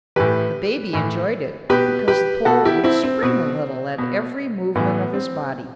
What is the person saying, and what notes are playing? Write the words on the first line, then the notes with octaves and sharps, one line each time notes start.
The baby enjoyed it because the pole would spring a little at every movement of his body.
A2 E3 G4 B4
A2 E3
B2 G4 B4
G4 B4
B2 F#4 A4
E4 G4
C4 E4
C4
B2
B2
A2 E3 B3
C4